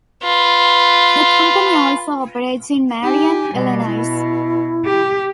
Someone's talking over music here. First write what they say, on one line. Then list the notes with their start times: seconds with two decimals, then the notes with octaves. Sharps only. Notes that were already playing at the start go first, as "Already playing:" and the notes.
The company also operates in Marion, Illinois.
0.23 F4 B4
3.02 D#4 G4 G#5
3.53 B2 G3
3.85 E4
4.85 G4